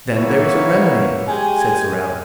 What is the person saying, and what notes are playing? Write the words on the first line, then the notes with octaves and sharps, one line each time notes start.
"Then there is a remedy," said Sorel.
E3 F#3 A#3 E4 F#4 C#5
G#3 G4 G5 G#5